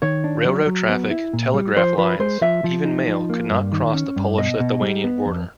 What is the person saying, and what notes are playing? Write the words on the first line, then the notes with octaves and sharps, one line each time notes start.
Railroad traffic, telegraph lines, even mail could not cross the Polish-Lithuanian border.
D#3 C#5
D4
F#3
F#3
B3
E4
A#2
G3
F3 C5
F3 B4
G#3 C5
F3 E5
F3
D#4
F3
A#3
G2
D#3
C#4
G2
B2 D#5
B2
G3
B3
F2